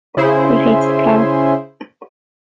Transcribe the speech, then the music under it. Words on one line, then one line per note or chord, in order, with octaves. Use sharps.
But it hates the plow!
C#3 E4 G#4 C5